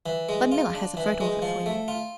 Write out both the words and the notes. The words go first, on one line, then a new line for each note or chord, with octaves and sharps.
Ludmilla has a photo of it for you.'
E3
G#3
F4
D4
E3
G#3
F3
A3
F4